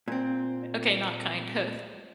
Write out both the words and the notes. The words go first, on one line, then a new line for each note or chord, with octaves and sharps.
okay, not kind of.
A#2 C4